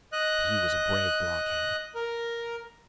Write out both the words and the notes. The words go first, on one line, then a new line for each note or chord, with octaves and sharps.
But he was a brave blockhead.
D#5 F#6
A#4